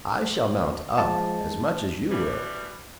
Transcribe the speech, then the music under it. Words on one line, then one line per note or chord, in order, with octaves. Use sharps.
"I shall mount up as much as you will."
F3 G#3 A5
D#2
B2 E3 G3